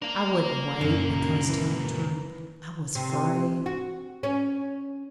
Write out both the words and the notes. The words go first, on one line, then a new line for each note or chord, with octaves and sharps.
I wouldn't wait because, tell the truth, I was afraid.
D4 A#4 F5
F#2 A#2 C#3
E3
C3
F#4
C#4